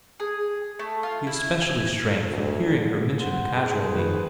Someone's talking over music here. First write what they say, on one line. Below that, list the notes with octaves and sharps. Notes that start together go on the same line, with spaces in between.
She especially shrank from hearing her mentioned casually.
G#4
A3
F4
E4
G#5
D2
C5 F#5
G#4
D#3 F3 A3 B4